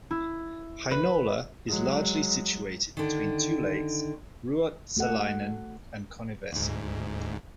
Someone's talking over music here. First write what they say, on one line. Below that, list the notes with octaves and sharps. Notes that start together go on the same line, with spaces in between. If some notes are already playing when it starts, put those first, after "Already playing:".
Heinola is largely situated between two lakes, Ruotsalainen and Konnivesi.
E4
B4
F#3 G#3
D3 D#3
A3 F#4 A4 F#5
D2 G#2